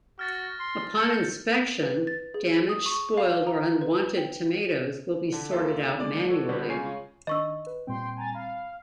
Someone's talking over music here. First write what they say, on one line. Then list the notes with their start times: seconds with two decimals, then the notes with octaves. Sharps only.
Upon inspection, damaged, spoiled or unwanted tomatoes will be sorted out manually.
0.19 F#4 F6 A6 A#6
0.60 C6
0.97 A5 G6 C#7
1.83 B4
2.07 A6
2.34 G#4
2.69 D#6
2.86 C#6
3.18 F5
3.47 A#5
3.81 B4
4.17 G5
5.32 D3 A5
5.51 D#2 A#3 F4 A4 E5
6.00 G#3 A#3 D5
6.28 F#4 A4 C#5 D5
6.49 D3 G3 B3 C4
6.69 C#3 G#3 F4 C#5 G#5 C7
7.27 D#3 D4 D#5 C#6 E6
7.67 B4
7.87 A#2 G3 C4 G5 C6
8.16 G#5 A#5 A6
8.35 F5 B5